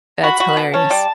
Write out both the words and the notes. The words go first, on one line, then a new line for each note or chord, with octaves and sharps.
That's hilarious.
F#4 B5
F#4
B2
C#4 A5
G3